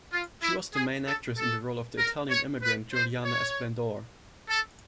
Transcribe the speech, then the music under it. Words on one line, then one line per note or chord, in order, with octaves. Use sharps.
She was the main actress in the role of the Italian immigrant Giuliana Esplendore.
F4
E4
G#4
A4
A4
A#4
C#5
B4
C5
C#5
A4